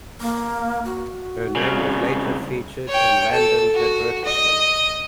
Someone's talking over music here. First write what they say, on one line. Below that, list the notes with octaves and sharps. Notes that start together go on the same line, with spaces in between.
Her name was later featured in Landon's advertisements.
A#3
F#4
C2 C#3
C#5 G5
A4
F#4
D#5